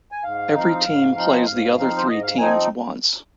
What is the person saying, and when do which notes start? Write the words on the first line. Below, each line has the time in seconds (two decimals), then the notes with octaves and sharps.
Every team plays the other three teams once.
0.12 G#5
0.24 G#2 F5
0.54 F3 C4 D#4
0.85 G#2
1.16 F3 C4 D#4
1.46 G#2 F5
1.77 F3 C4 D#4 F5
1.97 C5
2.07 G#2 D#5
2.23 F5
2.38 F3 C4 D#4 G#5